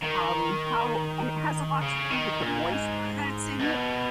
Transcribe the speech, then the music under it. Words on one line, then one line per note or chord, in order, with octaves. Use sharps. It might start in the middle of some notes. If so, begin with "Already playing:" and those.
from how it has a lot to do with the moisture that's in it,
D#3
C#3
D#3
A#2
G#2
B2